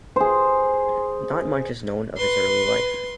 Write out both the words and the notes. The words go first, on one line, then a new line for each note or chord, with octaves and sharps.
Not much is known of his early life.
G#4 C5
B4 C6